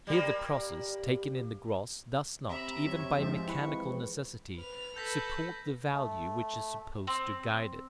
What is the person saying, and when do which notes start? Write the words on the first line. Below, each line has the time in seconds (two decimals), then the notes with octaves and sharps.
Here the process, taken in the gross, does not, even by mechanical necessity, support the value which is supposed to guide it.
0.07 G3 A#3
2.49 C3 E5 A#5 B5
2.86 F#2 C#5
3.17 F2 G#2 F3 G#3 C4
3.48 E3 B4 C#6
4.56 B4 F6
4.96 A4 B4 G6 A#6 B6
5.94 A3
7.07 C4